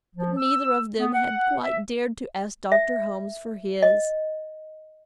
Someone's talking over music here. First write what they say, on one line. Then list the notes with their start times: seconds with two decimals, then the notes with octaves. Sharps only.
But neither of them had quite dared to ask Doctor Holmes for his.
0.16 F3
0.38 E6
1.00 B3
1.14 F#5
1.63 E5
2.72 E5
3.82 D#5